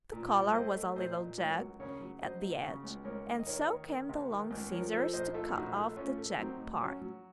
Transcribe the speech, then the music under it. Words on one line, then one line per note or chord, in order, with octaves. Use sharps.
The collar was a little jagged at the edge, and so came the long scissors to cut off the jagged part.
A#2
C2
A3 C5 D#5
A3
A#2 C5 D#5
A#2
C#2 A#4 C#5
F#3
C#3 A#4 C#5
F#3
F#3 C5 D#5
F#3
C#3
C#2
C#2 A#4 C#5
D#3
D#5
D#3 A#4 C#5
D#3
D#3
C3
D#3
C#2
F3 A#4 C#5
F3 A4 C5
A#1 C5 D#5
A3 F4 A4
A#1 D#4 F#4
A3
A2 C#4 F4
A3
F#3 C4 D#4
A2
F#3 C#4
F#3